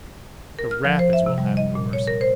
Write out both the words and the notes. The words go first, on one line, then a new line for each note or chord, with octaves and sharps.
The rapids will have no mercy.
A#4
F6
F3
C5
E5
C3
G3
D#5
A#2
C#5
A#4
C5